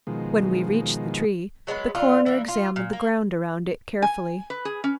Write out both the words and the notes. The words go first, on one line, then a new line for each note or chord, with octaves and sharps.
When we reached the tree, the coroner examined the ground around it carefully.
B2 D#3 F3 G#3
F#3 G#3 A3 B3
D3 F4
E3 A#3
F4
A#2
A#3
G#5
B4
G#4
C#4